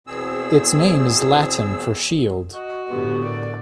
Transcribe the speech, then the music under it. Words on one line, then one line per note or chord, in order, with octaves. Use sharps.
Its name is Latin for shield.
E2 B2 C4 G#4 E6
F#4 D#5
A2 D3 B3 G4
A#4 D5